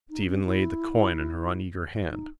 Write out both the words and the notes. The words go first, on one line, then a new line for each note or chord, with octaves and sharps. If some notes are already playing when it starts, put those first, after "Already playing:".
Stephen laid the coin in her uneager hand.
D#4
C#4
E4
D#4